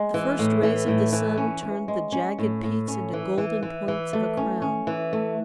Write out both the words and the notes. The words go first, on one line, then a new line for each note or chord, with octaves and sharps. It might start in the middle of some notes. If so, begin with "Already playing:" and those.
The first rays of the sun turned the jagged peaks into golden points of a crown.
Already playing: G#3
E3
A2
E3
A2
E3
C#4
C#4
G#3
C#4
A2
A2
C#4
E3
E3
E3
E3
A3
C#4
C#4
E3
A3